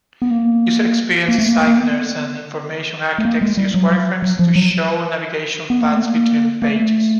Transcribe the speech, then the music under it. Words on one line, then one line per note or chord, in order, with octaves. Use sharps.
User experience designers and information architects use wireframes to show navigation paths between pages.
B3
A#3
A#3
A3
A#3
A#3
B3
A3
A#3
G#3
G3
F#3
F#3
F3
F#3
B3
A#3
A3
A#3
A#3
A3